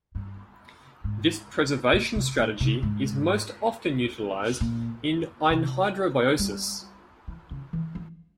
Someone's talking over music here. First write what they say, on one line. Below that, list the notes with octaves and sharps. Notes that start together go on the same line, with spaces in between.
This preservation strategy is most often utilized in anhydrobiosis.
G2
G#2
A#2
C3
A#2
C3
G#2
A#2
C3
G3
E3
C#3
E3
F3